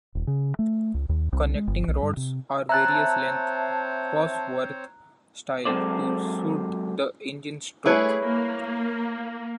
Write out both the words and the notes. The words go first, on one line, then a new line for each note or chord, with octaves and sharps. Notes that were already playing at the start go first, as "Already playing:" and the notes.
Connecting rods are various length, Cosworth style, to suit the engine stroke.
D#1
C#3
A3
C#2
D#2
C2
G#3
G1
B1
G2
C3
C4 C5 C#5 E5 A5 A#5 F#6
F#3 G#3 C4 A4 C5 D5
G3 A3 E4 G#4 B4 C#5
A#3